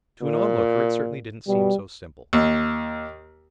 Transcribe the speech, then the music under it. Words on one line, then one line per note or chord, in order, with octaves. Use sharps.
To an onlooker it certainly didn't seem so simple.
A#2
B2 G3
D#2